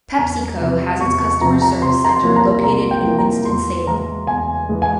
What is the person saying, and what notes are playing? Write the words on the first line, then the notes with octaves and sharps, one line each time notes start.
PepsiCo has its Customer Service Center located in Winston-Salem.
E2 A#5
C3 F3
E2 C#6
C#6
C3 F3 A#5
A#5
C3 C6
A#5
C6
F3 A#3 E4
A#5
C3 A#5
G5
F3 A#3 E4
A#5
E2 C6
E3 G#3 A#5
E2 G#5
E3 G#3
G#5